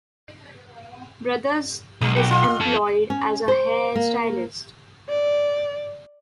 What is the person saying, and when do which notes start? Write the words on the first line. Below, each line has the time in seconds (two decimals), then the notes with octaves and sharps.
Brothers is employed as a hair stylist.
2.01 B1 G#3
2.16 F#4 G4
2.29 B2 F4
2.61 F4 A4
3.10 C#4
3.48 C5
3.96 A#3
5.09 D5